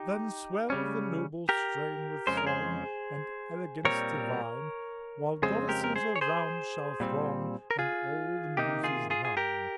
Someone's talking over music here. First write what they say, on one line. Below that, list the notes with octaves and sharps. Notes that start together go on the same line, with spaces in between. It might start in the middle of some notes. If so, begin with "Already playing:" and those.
Then swell the noble strain with song, And elegance divine, While goddesses around shall throng, And all the muses nine.
Already playing: D#4 G4
C#3 G3 C#4
G4 A#4
F2 C#3 G#3 C#4 C5
A#4
G#4 C5
A#2 G3 C4 A#4 C#5
F2 C#3 G#3 C4 G#4 C5
G4 A#4
A#4
G#4 C5
C#5
G#4 C5
A#2 G3 C4
A#4
F4 G#4
C3 D#3 A#3 D#4 G4
F4 G#4
F4 G#4
G#4
G4 A#4